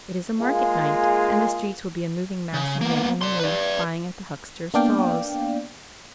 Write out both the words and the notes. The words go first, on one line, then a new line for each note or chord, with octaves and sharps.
It is a market night, and the streets will be a moving mass of men and women buying at the hucksters' stalls.
G#3 A#3 F4 G#4
C#3
A#3 B3
D5 C6
B4 D5
A#3 B3 D4 D5 F5 G5